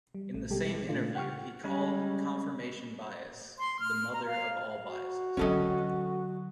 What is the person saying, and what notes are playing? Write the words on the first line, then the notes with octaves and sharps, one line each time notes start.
In the same interview he called confirmation bias the mother of all biases.
G3
A1 A3
B2 G3 G#3 G4 A4
G#3
A#2 C#3 A3 D4 F4
F#5 G5 C#6 F6
G3 G#3 C#4 B5
C6
F6
A#5
F5
F#4
D3 F#3 C#4 A4 D#5